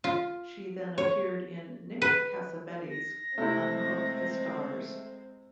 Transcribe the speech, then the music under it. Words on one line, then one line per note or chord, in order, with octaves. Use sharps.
She then appeared in Nick Cassavetes's "Unhook the Stars".
F4
C#5
B4
A#6
C3 G#3 A3 C4 E4